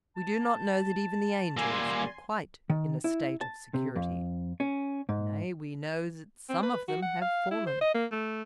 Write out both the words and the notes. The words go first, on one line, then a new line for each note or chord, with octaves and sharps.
We do not know that even the angels are quite in a state of security; nay we know that some of them have fallen.
A5
G3 A#3 G#5 C6 E6
D#3
E4
A5
C3
F2
C#4
G#2
C4
B4
F#4
F#5
F5
E4
C5
D#5
A#3
A3